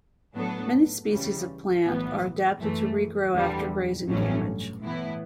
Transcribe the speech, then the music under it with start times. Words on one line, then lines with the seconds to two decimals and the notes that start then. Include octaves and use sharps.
Many species of plant are adapted to regrow after grazing damage.
0.34 A2 F#3 B3 D4 A4
1.09 C#3 E3 G3
1.84 B1 A2 E3 B3
2.59 F#2 E3 A3
3.33 E2 D3 G3
4.07 A1 G2 F#3 A3 C#4
4.82 A2 E3 B3 E4